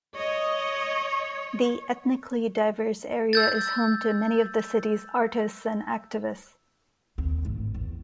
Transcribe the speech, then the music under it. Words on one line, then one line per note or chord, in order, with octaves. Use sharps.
The ethnically diverse area is home to many of the city's artists and activists.
C#5 D#5
E6 G6 A6
D#2 C4
G#1 A2
E2